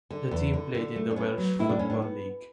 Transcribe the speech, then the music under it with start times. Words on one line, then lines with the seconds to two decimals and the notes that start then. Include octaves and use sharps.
The team played in the Welsh Football League.
0.10 D3
0.31 E2
0.53 D3
0.75 D3
0.96 A3
1.11 D4
1.16 B3 C#4
1.38 F#3
1.59 A2 E4
1.69 D4
1.79 A2 C#4
1.90 D4
2.02 B3